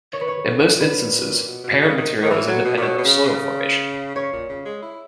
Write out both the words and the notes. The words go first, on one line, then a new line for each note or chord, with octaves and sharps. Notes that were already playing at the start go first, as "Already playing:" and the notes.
In most instances, parent material is independent of soil formation.
D#3 C#5
B4
C#5
C#3
A#2
B4
B2
B2
C#3
D#3
D#3
E3
F#3
B2
A#2
B2 C#5
B2
C#3
C#3
C#3 C#5
A#2
C#3
G#3
E4